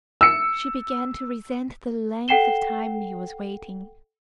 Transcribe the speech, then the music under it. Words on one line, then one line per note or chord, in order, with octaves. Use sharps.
She began to resent the length of time he was waiting.
E6 C#7
A4 F#5 G5 C7 E7 G7